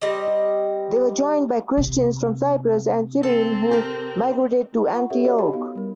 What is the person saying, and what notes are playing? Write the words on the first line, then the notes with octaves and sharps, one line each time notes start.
They were joined by Christians from Cyprus and Cyrene who migrated to Antioch.
G3 C4 D#5
C3
C4 A4
G4 A#4
F4 F#5 C#6
C#4 G4 A4 A#4 C#5 E5
F#4 A4 B4 C#5 D#5
G4 B5
B3 D#4 F5
G3 A#4